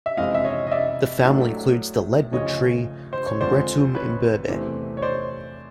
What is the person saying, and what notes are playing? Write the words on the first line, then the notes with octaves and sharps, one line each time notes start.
The family includes the leadwood tree, "Combretum imberbe".
E5
F2 C3 E3 G#3 D#5 F5
E5
C#5 D#5
D#5
D5 E5
A2 F#3 A3 D4
D2 C#3 F3 C#5 D#5
C5
C#5
F2 D3 F3 G#3 C5 D5
B4 C#5
E2 C3 E3 A3 C4
C#5
C5 D5